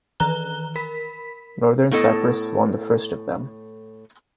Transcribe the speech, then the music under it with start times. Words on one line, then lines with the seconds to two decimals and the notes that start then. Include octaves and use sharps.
Northern Cyprus won the first of them.
0.20 D#3 E3 B4 A#5 F#6 G7
0.76 A#4 B5 B6
1.91 A2 B3 A4 D#5